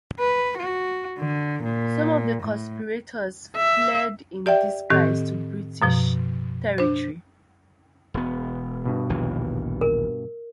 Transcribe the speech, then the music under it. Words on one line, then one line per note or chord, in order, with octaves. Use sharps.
Some of the conspirators fled in disguise to British territory.
B4
F#4
D3
A#2
A2
E5
G4 D5 E5 G5
A2 D#3 C4 G4
F#2 B2 F3
D4 C5
E1 B3
G2 B2
A#1 D#2 E3
A#4